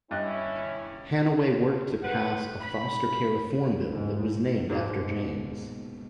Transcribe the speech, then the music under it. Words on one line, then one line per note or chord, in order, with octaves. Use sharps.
Hanaway worked to pass a foster care reform bill that was named after James.
G2 C#4 E4 D#5 F#6
B4 C5 F#5
B5
G#2
G#2 B2 G#3 A#3